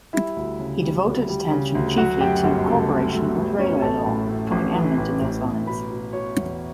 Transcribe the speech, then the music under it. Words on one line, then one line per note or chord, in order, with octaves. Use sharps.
He devoted attention chiefly to corporation and railway law, becoming eminent in those lines.
G3 E4 E5
D2
C#3
G3
D2
G3
C#3
D2
F#3 F#4 F#5
F#2 G4 G5
G1 F#4 F#5
C#3 A3 A4
F#2 G3 G4
G4
F#3 A3 A4
G1 B3 B4
F#2 C#4 C#5
A1 A4 A5
A2
A2
A1
E3
A1
A1
A1
B2 B4 B5
B2
B2 C#5 C#6
E2